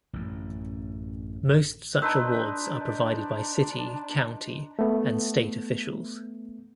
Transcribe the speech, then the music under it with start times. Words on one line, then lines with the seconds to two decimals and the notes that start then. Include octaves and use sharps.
Most such awards are provided by city, county and state officials.
0.13 A1 F#2
2.02 D4 D#4 B4 C5 A5 E6
4.79 A3 B3